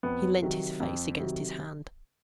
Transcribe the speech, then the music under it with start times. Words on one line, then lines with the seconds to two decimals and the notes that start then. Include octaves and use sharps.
He leant his face against his hand.
0.03 F2 B3
0.41 C3 D#3 F#3
0.80 F2
1.19 C3 D#3 F#3